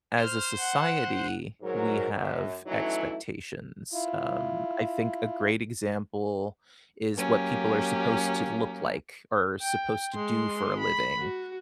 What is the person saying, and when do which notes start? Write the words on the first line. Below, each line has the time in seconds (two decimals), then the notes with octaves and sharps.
as a society, we have expectations. Um, I think a great example is what people are supposed to look like or supposed to do for a living.
0.19 C5 F6
0.59 F#5
1.61 G#2 F#3 A#4
2.11 F#2
2.66 E3 F#3 A3 C#4 D#4 E4
3.93 E4 F4
7.15 F#3 A#3 C#4 G4
9.62 G5
10.14 G#3 C6
10.79 B5
11.19 F#4